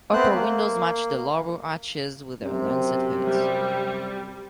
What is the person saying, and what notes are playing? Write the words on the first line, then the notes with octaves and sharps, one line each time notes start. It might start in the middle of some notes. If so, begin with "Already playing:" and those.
Upper windows matched the lower arches with their lancet heads.
A3 B3 C4 C5 F#6
A#3
F#2 C3
G3